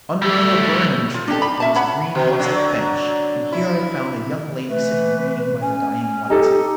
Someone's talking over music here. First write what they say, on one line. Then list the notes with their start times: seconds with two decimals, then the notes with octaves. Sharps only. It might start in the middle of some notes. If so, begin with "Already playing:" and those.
Under a laburnum-tree there was a green rustic bench; and here I found a young lady sitting reading by the dying light.
0.22 G3 A3
1.14 F4
1.28 D4 D#4 G4 A4
1.42 D4 B5
1.60 C#4 E5 A5
1.75 C#5 F#5 B5
2.15 B2
2.39 D3 F#3 D4
3.53 E4
4.69 E3 A3 B4
5.61 C#4 G#5
6.30 D#4 G4 A4